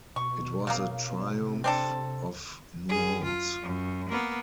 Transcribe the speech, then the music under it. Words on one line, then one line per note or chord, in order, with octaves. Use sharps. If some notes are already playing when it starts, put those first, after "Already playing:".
It was a triumph of nuance.
B2 C#6
C#3 A#3
C3
C4 D4 A4
F#2 G#4
F4
F#2
A#3 B3